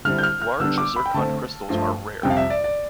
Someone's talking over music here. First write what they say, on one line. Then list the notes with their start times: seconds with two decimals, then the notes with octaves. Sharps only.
Large zircon crystals are rare.
0.05 D3 G3 C4 E4 F6
0.18 G6
0.23 F6
0.42 F6
0.60 D3 G3 B3 D4 E6
0.78 D6
0.96 B5
1.06 G5
1.14 D3 A3 C4 A5
1.69 G2 F3 A3
2.23 F2 C3 G3 G5
2.30 F5
2.37 E5
2.50 D5
2.64 D5